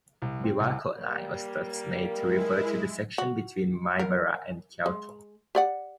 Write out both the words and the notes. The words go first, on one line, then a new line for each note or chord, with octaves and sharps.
Biwako Line was thus made to refer to the section between Maibara and Kyoto.
C2
C4
C2
G3 A#3
G#3 E4 A#4
F#4
A#4
G#3
G4 D5 F#5